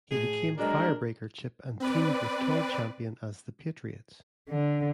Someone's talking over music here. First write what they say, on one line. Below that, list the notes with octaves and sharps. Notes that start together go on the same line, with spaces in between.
He became Firebreaker Chip and teamed with Todd Champion as The Patriots.
A2 G#4
G2 F#3 G#3 D4 A#4
C4 B4 D5
D3